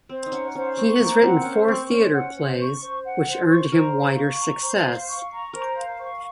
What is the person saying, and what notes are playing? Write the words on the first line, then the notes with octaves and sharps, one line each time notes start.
He has written four theatre plays, which earned him wider success.
C4 C5
D#4
C#4 F#5
C#4 C5
C4 C#6
A#3 C5
C4 F#5
C#4 C5
C4 C#6
C#4 C5
F#5
C5
C#6
C5
F#5
C5
C#6
A#4 C5
F5
C#6
A#5
C5
F5
C#6
A#5
A#4 C5
F5
C#6